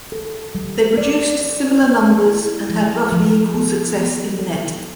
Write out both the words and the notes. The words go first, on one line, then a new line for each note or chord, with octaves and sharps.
They produced similar numbers and had roughly equal success in net.
A4
G3
D5
D5
A3
E4
F3
F3
B3
B3
A4